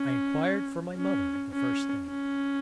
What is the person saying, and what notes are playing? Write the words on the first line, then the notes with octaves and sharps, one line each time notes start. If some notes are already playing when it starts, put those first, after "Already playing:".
I inquired for my mother the first thing.
Already playing: C#4
C#4
C#4
C#4